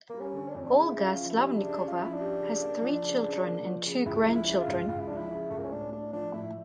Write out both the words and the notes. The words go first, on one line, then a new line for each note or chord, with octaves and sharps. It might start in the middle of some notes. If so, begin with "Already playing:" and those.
Olga Slavnikova has three children and two grandchildren.
G3 A#3
C#4
D3
D4
F2 C#4
D4
C#3 E4
C#4
F4
F3
E4
D4 G4
E4
C#3 D4
C#4
F4
F3 E4
D4
G4
C#3
A#3
F3
C#3
C#3
A#3
F3
C#3
C#2 E4
F3
E4
C#3
F4
C#2
C#2 F4
E4
F3 D4
E4
C#3
C#2 A3
A#3
C#4
A2 D4
A3 D4
F3 D4
A2 E4